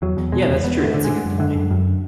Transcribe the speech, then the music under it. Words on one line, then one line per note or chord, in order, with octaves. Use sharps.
Yeah, that's true. That's a good point.
E2 F#3
E2
B2 G#3
E2
E2 B3
D3
A3
D3
G#3
D3
F#2
D3
F#2
F#2